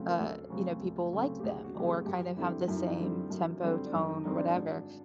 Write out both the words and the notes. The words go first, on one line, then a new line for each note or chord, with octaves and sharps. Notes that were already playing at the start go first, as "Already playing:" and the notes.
uh, you know, people like them or kind of have the same tempo, tone, or whatever,
Already playing: D2 C#3 F#3 A3 C4
A#4
D2 A4
C#3 F#3 A3 C4
D2
C#3 F#3 A3 C4
G4
D2 G#4
F#4
C#3 F#3 A3 C4 G4
G#4
F#2 G4
D3 G3 C4 E4
F#2 E4
D#4
E4
D3 G3 C4
F#2
D3 G3 C4
D4
F#2 D#4
D#4
D3 G3 C4 D#4
D4
G#1